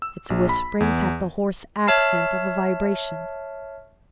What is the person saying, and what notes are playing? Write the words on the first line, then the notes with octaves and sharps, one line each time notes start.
Its whisperings had the hoarse accent of a vibration.
E6
A#1
B5
E2
C#5 E5 A5 F6 C7